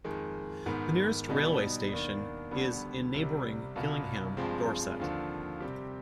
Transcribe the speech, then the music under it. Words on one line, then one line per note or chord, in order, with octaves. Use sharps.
The nearest railway station is in neighbouring Gillingham, Dorset.
F2 D#3 G#3
G#2 D#3 B3
B2 G3 B3 D#4
D#2 D#3 B3 D4
D2 D3 G3 B3
C2 C3 G3
C2 B2 B3 F4
G2 F3 G#3 C4
D#2 D3 F3
C3 G3 C4 G4